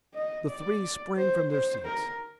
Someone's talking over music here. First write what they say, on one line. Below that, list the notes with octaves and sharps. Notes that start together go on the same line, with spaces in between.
The three sprang from their seats.
D#5
D5
C5
C5
A#4